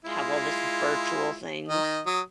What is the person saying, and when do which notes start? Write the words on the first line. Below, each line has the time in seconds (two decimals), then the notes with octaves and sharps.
have all this virtual things.
0.05 G#3 E4 F4
1.68 D#3 D#5
2.06 F#3 D#6